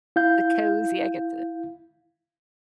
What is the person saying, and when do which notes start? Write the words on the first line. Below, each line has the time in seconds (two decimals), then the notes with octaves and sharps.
The cozy. I get the
0.16 E4 F5 G6